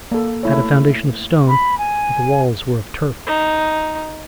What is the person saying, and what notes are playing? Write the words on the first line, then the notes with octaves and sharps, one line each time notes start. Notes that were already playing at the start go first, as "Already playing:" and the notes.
It had a foundation of stone, but the walls were of turf.
A#3 A4
A3 E4 C#5
B5
G#5
D#4